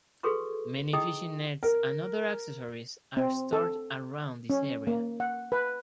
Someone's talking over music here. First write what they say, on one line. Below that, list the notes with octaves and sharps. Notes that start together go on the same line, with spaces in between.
Many fishing nets and other accessories are stored around this area.
F#4 G#4 A4 B4 C6 C#6
D#4 E4 G#4 D#5 G5 D#6
A#4
C4
A4
C#4
A#3
F#5
B4